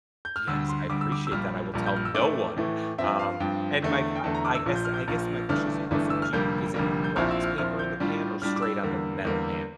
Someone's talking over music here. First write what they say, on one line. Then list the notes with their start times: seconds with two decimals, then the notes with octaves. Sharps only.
Yes, I appreciate that, I will tell no one. Um, and my g I guess I guess my question is also do you is it wax paper in the pan or straight on the metal pan?
0.25 G6
0.36 F6
0.47 D2 D3 G3 E6
0.69 C6
0.90 D2 D3 G3 D6
1.01 E6
1.12 D6
1.27 E6
1.31 A#1 A#2 G3 F6
1.74 A#1 A#2 G3
1.86 G6
1.96 F6
2.05 E6
2.15 A2 E3 A3 D6
2.57 A2 E3 A3
2.98 G2 F3 C4 E5
3.19 F5
3.40 G2 F3 C4 G5
3.82 E2 D3 A3
4.15 G5
4.24 E2 D3 A3 A5
4.35 A#5
4.45 D6
4.55 E6
4.66 A#1 A#2 F3
4.75 G6
4.85 F6
4.94 G6
5.08 A#1 A#2 F3
5.49 G1 G2 E3 A3 D4 F6
5.91 G1 G2 E3 A3 D4
6.10 E6
6.22 F6
6.33 F1 F2 D3 G3 A#3 G6
6.74 F1 F2 D3 G3 A#3
7.04 G6
7.16 A#1 A#2 F3 C4 E4 F6
7.31 E6
7.44 F6
7.58 A#1 A#2 F3 C4 E4 F6
7.79 G6
8.00 A2 G3 D4 F4
8.42 A2 G3 D4 F4 F6
8.56 D6
8.62 E6
8.83 E2 D3 G3 A#3
9.25 E2 D3 G3 A#3